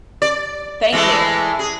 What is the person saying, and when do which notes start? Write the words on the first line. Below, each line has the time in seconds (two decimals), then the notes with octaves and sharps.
Thank you.
0.22 D5
0.92 E3 G#3 A3
1.59 G#4